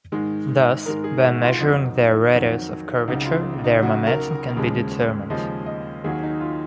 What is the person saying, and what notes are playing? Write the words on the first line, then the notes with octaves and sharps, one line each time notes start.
Thus, by measuring their radius of curvature, their momentum can be determined.
G#2 D#3 G#3
G#2 D#3 G#3 A#4
G#4
F#4
F4
F2 D#3 F#3 D#4
F2 D#3 F#3
C#2 C#3 F#3 D#4
F4
D#4
C#2 C#3 F#3 F#4
A#4
D#2 C#3 F3 G#3
D#2 C#3 F3 G#3 D#5
D#5
D#2 D#3 F#3 G#4
D#4
F4